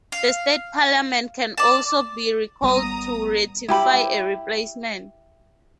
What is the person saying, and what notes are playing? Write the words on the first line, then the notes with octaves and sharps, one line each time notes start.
The State Parliament can also be recalled to ratify a replacement.
F5
D5 A5
G#1 G3 B3 A#5 D#6
E4 G4 B5